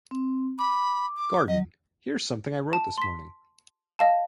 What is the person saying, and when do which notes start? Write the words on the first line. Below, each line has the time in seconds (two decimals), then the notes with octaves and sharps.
Garden: "Here's something I wrote this morning".
0.11 C4
0.59 B5 D6
1.17 D6
1.48 F#3 D#5
2.73 A5
2.98 C6 B6
3.99 D#5 F5 A5